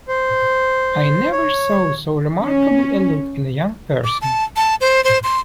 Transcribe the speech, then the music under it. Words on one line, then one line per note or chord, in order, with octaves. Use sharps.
I never saw so remarkable a look in a young person.
C5
C#5
C#4
D6
A5
A5
C5
C5
C6